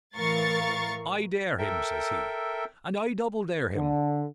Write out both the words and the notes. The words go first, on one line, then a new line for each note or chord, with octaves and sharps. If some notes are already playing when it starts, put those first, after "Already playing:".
I dare him, says he, and I doubledare him.
A2 E3 A#4 F5 C#6 A6
A4 A#4 E5 G5
D3